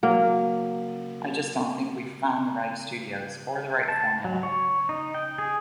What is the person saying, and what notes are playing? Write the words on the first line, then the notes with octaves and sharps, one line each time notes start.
I just don't think we've found the right studios, or the right formula.
F#3 A#3
A5
F#3
C#5
D#4
G5
G#4